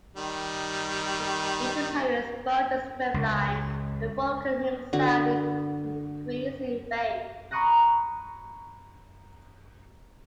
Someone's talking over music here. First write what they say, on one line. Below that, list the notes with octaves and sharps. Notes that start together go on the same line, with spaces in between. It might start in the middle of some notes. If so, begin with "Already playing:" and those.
With each appearance both the discipline and Foucan himself increased in fame.
D#3 G3
C#2
D3 F#4
A#5 B5 C#6 D#6 F#6 A#6